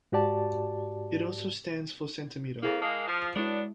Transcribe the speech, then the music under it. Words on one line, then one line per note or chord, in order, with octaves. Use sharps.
It also stands for centimetre.
G#2 F#4 G4 D5 A5
F2 A#3 E4 G#4 F5
G#3 A#3 A5 D#6
F3
F#3 G#3 B3 D4 E4